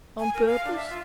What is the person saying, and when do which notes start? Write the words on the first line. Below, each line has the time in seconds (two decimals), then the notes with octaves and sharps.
On purpose.
0.19 G#5
0.34 A#4
0.46 F5
0.65 D4
0.76 E5
0.90 F4